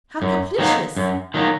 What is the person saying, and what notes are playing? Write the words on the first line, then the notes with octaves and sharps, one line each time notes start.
How caplicious!
F#2
D#3 F#3 A#3 D#4
F#2
D#3 F#3 A#3 D#4